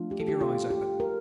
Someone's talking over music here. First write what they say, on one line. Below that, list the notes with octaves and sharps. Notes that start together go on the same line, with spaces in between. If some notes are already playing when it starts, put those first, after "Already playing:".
Keep your eyes open.
Already playing: F3 A3 D4 F4
G4
A4
G4
F4
G4
A#4